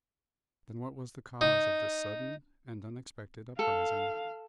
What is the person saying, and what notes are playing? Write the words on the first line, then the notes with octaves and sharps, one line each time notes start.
Then, what was the cause of this sudden and unexpected uprising?
D#4
A4 F5